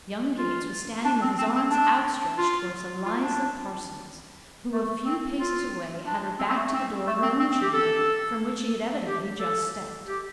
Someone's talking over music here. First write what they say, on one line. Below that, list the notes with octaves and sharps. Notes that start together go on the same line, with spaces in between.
Young Gates was standing with his arms outstretched toward Eliza Parsons, who, a few paces away, had her back to the door of her own chamber, from which she had evidently just stepped.
F4
D4
C4
C4
C4
D4
F4
F4
D4
A3
C4
F4
D4
C4
C4
A3
C4
A3
C4
C4
C4
G4
A4
G4
A4
G4